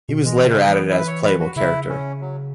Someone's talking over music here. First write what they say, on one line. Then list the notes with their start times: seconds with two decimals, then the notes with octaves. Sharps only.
He was later added as playable character.
0.09 B2
0.25 E3 G#3
0.47 C#3 G#3
0.59 B3
0.69 E3
0.91 E4
0.99 B4
1.07 C#5
1.24 B4
1.40 F#4
1.56 C#3 E4
1.89 C#4
2.21 F#3